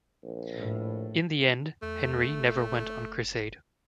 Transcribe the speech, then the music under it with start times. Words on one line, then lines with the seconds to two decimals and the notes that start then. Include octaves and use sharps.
In the end, Henry never went on crusade.
0.24 A#1
0.54 A2
1.82 E2 A3
2.31 F#1